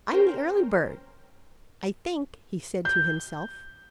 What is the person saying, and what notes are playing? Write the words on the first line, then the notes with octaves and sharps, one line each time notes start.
"I'm the early bird, I think," he said to himself.
C#4 A#4 C5 G5
G6